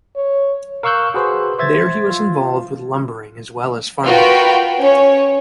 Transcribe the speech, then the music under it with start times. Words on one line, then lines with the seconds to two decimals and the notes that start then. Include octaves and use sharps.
There he was involved with lumbering as well as farming.
0.15 C#5
0.83 A#4 F5 C#6 E6 F#6 G6
1.14 F#4 G#4 B4 C5
1.59 C5 E5 G#6 A6
2.10 F4
4.05 F4 F#4 A#4 B4 G5
4.80 C#4 C#5